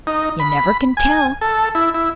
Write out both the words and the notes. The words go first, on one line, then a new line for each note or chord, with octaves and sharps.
You never can tell.
D#4
B5
G#5
A4
E4
E4